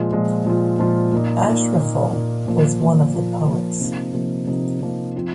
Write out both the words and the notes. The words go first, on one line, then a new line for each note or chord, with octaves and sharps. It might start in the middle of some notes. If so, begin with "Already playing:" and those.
Ashraful was one of the poets.
Already playing: A#2 F3 G#3 F4
A#2 F3 G#3 F4
A#2 F3 G#3 F4
A#2 F3 G#3 F4
A#2 A#3 D#4
A#2 A#3 D#4
A#2 A#3 D#4
A#2 A#3 D#4
A#2 F3 A#3 F4
A#2 F3 A#3 F4
A#2 F3 A#3 F4
A#2 F3 A#3 F4
C3 F3 A#3 D#4
C3 F3 A#3 D#4
C3 F3 A#3 D#4
C3 F3 A#3 D#4
F3 C4 F4